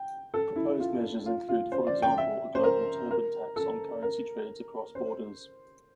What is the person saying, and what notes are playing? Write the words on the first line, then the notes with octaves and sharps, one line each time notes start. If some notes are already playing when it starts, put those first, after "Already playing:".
Proposed measures include for example a global Tobin tax on currency trades across borders.
Already playing: G5
A4
E4
F4
F4
F4
C5
D5
G5
E5
C5
A#4
A#4
A4
A#4
C5